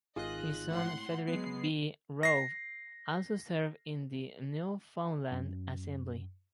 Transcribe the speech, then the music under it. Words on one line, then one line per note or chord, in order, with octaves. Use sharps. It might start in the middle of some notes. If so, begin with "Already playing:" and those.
His son Frederick B. Rowe also served in the Newfoundland assembly.
G#1 F4 G#4 D#5 F#6
A2 F#5 C6
F#3 G#3 B3 C7
A#6 C7
F#2